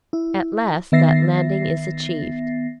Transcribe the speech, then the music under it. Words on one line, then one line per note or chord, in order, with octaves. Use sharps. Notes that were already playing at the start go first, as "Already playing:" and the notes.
At last that landing is achieved.
E4
D#3 B3 E5 A6 A#6 C7